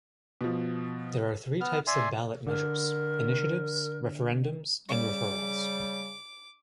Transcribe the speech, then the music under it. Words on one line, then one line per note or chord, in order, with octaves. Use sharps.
There are three types of ballot measures: initiatives, referendums, and referrals.
B2 F3
B3 F6
D5 E5 G#5 C6
D3 A#4
C#3 G3 D6